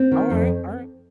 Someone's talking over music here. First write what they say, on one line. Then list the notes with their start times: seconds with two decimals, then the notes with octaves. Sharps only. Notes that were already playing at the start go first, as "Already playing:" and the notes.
Alright, alright.
Already playing: C4
0.12 D#3
0.30 F2